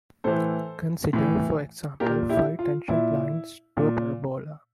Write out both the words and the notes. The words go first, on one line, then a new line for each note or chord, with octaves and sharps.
Consider, for example, five tangent lines to a parabola.
A2 E3 A4 C5
A2 E3
A#2 G4 A#4
E4 G4
F4
A#2 E4
A#2